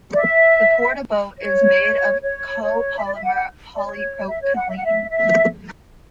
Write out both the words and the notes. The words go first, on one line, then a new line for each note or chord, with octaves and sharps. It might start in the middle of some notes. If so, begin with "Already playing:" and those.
The Porta-Bote is made of copolymer polypropylene.
D5
E5
C#5
C#5
C#5
E5
D5
E5
F#5
F#5
D5
C#5
E5
C#5
F#5
E5
F#5
E5
E5